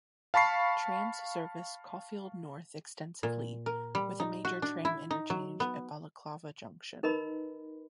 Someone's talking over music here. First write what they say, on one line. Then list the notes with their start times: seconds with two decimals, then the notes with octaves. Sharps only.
Trams service Caulfield North extensively, with a major tram interchange at Balaclava Junction.
0.34 F5 A5 B5 C#6 C7
3.23 A#2
3.66 A#4
3.95 G3
4.20 D#4
4.45 F#4
4.62 D4
4.85 E4
5.11 D#4
5.30 F#3
5.60 B3
7.03 D#4 A#4 B4 D#5 A#5 B5